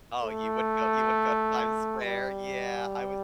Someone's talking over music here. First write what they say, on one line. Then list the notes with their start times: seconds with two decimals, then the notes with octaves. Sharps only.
Oh, you wouldn't go you wouldn't go to Times Square? Yeah, I was
0.22 A3
2.04 G3